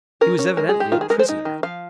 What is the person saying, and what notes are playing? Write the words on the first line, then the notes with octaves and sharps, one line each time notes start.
He was evidently a prisoner.
C#4 A#4
C#4
G#3 A#4
G#4
G#3
G4
D#3 F4
G#4
G#3 A#4
C5
D#4
D#3
F3 F5